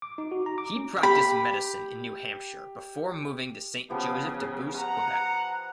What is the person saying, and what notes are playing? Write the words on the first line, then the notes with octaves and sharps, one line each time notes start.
He practiced medicine in New Hampshire before moving to Saint-Joseph-de-Beauce, Quebec.
D6
D#4
F#4
A#5
D6
C#4
G4 B5
C#3 F3 B3 G4
F#5 A#5